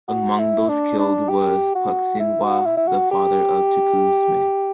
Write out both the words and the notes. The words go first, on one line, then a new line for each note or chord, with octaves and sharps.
Among those killed was Pucksinwah, the father of Tecumseh.
F#4
E4
D4
D4
G4
F#4
E4
F#4
E4
E4
F#4
G4